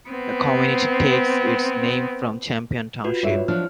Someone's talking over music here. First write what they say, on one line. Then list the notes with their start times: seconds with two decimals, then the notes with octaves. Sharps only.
The community takes its name from Champion Township.
0.10 B3 C4
3.04 F4 F#4 B4
3.23 G2 C#5 E5
3.48 F3 F#3 D4 F6